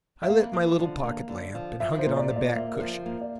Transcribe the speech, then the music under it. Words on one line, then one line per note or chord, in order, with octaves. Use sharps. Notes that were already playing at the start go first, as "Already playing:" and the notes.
I lit my little pocket-lamp and hung it on the back cushion.
E5
A#3 F5
F3
D3
A#3
D3
F3
F3 E5
C5
A#2
D5
A#2
D5
A#3 E5
A#4
F3
A#3
D5